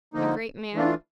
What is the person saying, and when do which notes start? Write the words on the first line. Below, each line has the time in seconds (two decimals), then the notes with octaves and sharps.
A great man?
0.14 D3 F3 A#3 D#4
0.74 E3 A3 D4 F4